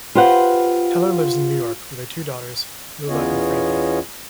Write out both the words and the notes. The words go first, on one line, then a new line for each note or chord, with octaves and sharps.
Heller lives in New York with her two daughters, Lula and Frankie.
F4 G4 B4 C5 F5 F#5
E2 B3 C#4 F4 C#5 D#5